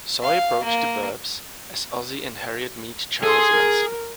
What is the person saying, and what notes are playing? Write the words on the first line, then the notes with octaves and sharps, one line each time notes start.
So I approached "The 'Burbs" as "Ozzie and Harriet Meet Charles Manson".
F5
A#3
G#4 A4 C6
A#4